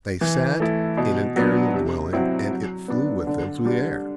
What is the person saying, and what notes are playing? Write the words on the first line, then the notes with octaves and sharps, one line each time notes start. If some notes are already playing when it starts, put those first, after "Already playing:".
They sat in an aerial dwelling, and it flew with them through the air.
E3
A3 E4
B2
F#3 B3 D4
C3
F#3 C4 E4
F#3
B3 D4
D3
G3 D4